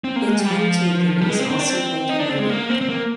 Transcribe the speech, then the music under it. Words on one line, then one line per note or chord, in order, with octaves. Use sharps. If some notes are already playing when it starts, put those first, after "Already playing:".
The time taken is also regulated.
C4
A#3
G#3
G3
F3
G3
G#3
C4
C4
D4
C4
D#4
D4
C4
G#3
A#3
C4
C4
A#3